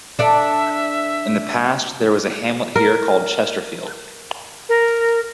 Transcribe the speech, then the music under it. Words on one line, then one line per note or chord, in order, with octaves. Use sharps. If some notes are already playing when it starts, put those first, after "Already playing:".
In the past there was a hamlet here called Chesterfield.
D4 A4 D5 E5
A#4
A#4